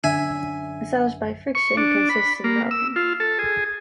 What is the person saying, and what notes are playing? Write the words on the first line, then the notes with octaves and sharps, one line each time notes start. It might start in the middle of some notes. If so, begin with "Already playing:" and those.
Massage by friction consists in rubbing.
F#2 D3 D4 E5 G#5
C#6
D4
B5
A#3
E6
F4
A4
G#4